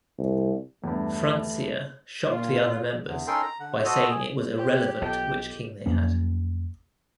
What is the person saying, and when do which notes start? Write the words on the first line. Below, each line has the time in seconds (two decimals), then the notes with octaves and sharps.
Francia shocked the other members by saying it was irrelevant which king they had.
0.19 C2
0.84 E2 G2 A3
2.30 A#2 F4
3.08 E2
3.27 C#4 D#4 A4 A#4 G5 C6
3.42 A#5
3.60 D3 F#5
3.85 F#4 A4 C5 D#5
4.10 G#4
4.58 G4 C5 G5 G6
5.02 B1 F4 A4 D#5 G5
5.86 F2 F#3 A#3 C#4